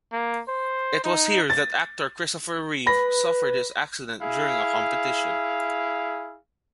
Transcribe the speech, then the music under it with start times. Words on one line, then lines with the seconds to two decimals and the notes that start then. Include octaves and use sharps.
It was here that actor Christopher Reeve suffered his accident during a competition.
0.12 A#3
0.48 C5
1.04 D#4
1.50 A6
2.86 B4 B5 A#6
4.22 E4 G#4 F5